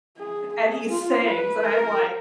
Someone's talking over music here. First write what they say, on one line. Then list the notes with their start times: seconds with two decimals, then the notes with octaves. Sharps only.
and he sings, and I'm like,
0.17 G#4
0.54 G#4
0.90 F4
1.26 B4
1.63 A#4